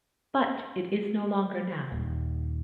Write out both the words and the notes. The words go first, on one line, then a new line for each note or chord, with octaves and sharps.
But it is no longer now.
D#1